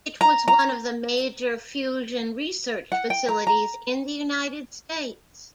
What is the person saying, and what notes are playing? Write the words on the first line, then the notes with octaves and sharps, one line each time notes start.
It was one of the major fusion research facilities in the United States.
A#5
A#5
F#5
G5
A#5
A#5